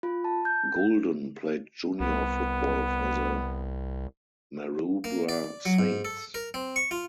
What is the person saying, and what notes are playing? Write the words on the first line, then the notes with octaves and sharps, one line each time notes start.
Gulden played junior football for the Maroubra Saints.
F4
A5
G6
C2 B3
A#3
D5
F#3
G#2
A4
A#4
C4
C#6
F4